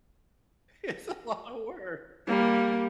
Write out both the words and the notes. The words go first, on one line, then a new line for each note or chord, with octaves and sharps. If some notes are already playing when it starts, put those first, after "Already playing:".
It's a lotta work.
G3 A#3